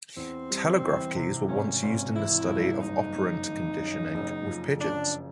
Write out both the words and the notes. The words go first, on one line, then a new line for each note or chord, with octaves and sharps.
Telegraph keys were once used in the study of operant conditioning with pigeons.
E2 C4
G3
E3
C3
G#1 C#4
G#1
E3 E4
G2
F#1 D#4
F#1
D#3
F#2
F#1
F3
C#3 D4